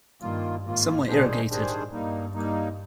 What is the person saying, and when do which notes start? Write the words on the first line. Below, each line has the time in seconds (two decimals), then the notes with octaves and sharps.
Some were irrigated.
0.21 G2 D#3 A#3 F4
0.65 G#2 D#3 A#3 F4
1.06 A#2 D#3 G3 D4 G#4 C5
1.50 G#2 D#3 G3 D4 G#4 C5
1.92 G2 G3 A#3 D#4
2.35 G3 A#3 D#4